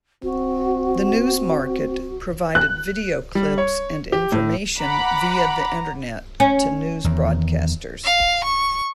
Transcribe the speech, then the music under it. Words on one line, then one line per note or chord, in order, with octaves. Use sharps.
The NewsMarket provided video clips and information via the Internet to news broadcasters.
C4 F#4
F#6
G3
C#5
G4
A2
F#5 A#5 B5 D6
C#4
E2 D#3
F5
C#6